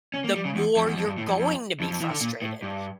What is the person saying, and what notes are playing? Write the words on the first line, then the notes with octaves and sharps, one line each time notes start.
the more you're going to be frustrated,
C#4
A#3
G3
C#3
E2
F2
E2
F2
G2
A2
F2
F2
F2
F2
E3
D3
A#2
A2
G2